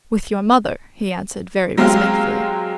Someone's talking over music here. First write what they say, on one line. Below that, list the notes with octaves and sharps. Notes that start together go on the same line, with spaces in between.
"With your mother," he answered very respectfully.
F#3 G#3 C4 G4 G#4 F5